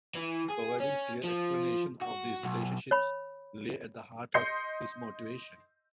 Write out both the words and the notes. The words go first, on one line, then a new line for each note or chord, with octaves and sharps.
Providing clear explanation of these relationships lay at the heart of his motivation.
E3
G#4
C#4
F3
F#4
B1
C#5 B5
D#5 C6 G6 C7 C#7